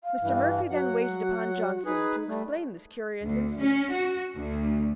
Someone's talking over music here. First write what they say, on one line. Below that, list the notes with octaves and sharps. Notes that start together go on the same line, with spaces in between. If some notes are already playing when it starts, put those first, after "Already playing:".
Mr. Murphy then waited upon Johnson, to explain this curious incident.
F5
G2 E3
F#3 F#4 F#5
D#4 G#4 B4
G3 A3
D2
C#4
F#4
D2